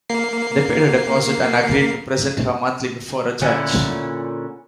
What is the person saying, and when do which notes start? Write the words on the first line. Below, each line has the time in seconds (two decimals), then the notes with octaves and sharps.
They paid a deposit and agreed to present her monthly before a judge.
0.09 A#3 C7
3.42 A#2 D3 C#4 E4